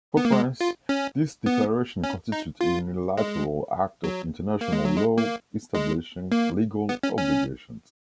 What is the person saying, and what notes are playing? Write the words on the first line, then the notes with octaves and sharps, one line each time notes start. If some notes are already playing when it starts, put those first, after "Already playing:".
For France, this declaration constitutes a unilateral act of international law establishing legal obligations.
B3
A#3
G#3
F4
C#4
B3
C#4
D#4
F4
G#3
F#3
A#3
G#3
F#3
G#3
A#3
G#3
A#3
B3
C#4
C#4